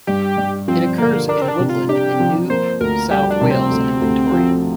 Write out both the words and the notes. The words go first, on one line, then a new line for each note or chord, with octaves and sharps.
It occurs in woodland in New South Wales and Victoria.
G2 G4
G2
F3 C4
D3 A#3
D4 A#4
C4
D4
C3
F4
D4 G4
F3
A#3 C5
D2 A#4
G3 G4
D4
C3
C4
D2
D2
F3